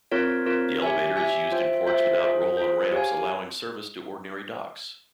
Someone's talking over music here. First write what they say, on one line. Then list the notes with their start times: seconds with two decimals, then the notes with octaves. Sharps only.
The elevator is used in ports without roll-on ramps allowing service to ordinary docks.
0.11 C4 F4 A#4 C#5
0.46 C4 F4 A#4 C#5
0.82 G4 C#5 E5 G#5
1.16 G4 C#5 E5 G#5
1.51 F4 C5 E5 G5
1.86 F4 C5 E5 G5
2.21 F4 G#4 C5
2.57 F4 G#4 C5
2.92 G4 C#5 F5 G#5